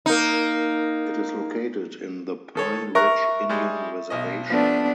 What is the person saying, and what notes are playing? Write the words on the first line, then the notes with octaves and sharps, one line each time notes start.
It is located in the Pine Ridge Indian Reservation.
A#3 D#4
D#3 A4 C#5
A#4 E5 A#5 C#6 F#6
G3 G#3
B1 D#5
F3 A3 B3 D4